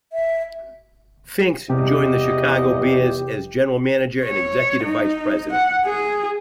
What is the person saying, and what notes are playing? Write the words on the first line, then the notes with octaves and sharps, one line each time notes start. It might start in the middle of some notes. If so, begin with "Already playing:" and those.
Finks joined the Chicago Bears, as general manager and executive vice-president.
E5
E2 C3 G4 D#5
C#5
D#4
F#5
G#4